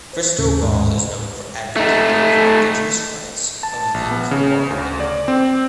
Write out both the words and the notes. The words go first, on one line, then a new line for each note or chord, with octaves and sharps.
Cristobal is known for advocating for indigenous rights of the Chamorro people.
C5
D#2 A2 C#3
G#2
A3 D#4
A5
A#1
B3
C#3
D2
D5
C4